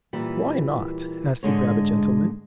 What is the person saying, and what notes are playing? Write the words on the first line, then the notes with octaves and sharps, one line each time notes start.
"Why, not?" asked the rabbit gentleman.
A#2 E3 G3
G#2 D3 G#3 C#5